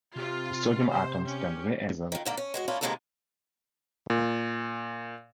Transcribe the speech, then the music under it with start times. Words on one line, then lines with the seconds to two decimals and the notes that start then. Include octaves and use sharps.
The sodium atoms then re-emit the laser light, producing a glowing artificial star.
0.16 C3 F4
0.91 C5
1.25 C#4 G4
2.12 F2 D#3
2.25 G#2 D3 A#3
2.37 C#4
2.54 G#3 F#4 G#4
2.68 A#3 C#4 D4 E4 F4
2.81 C3 D#3 G#3 A#3 B3 A4
4.10 A#2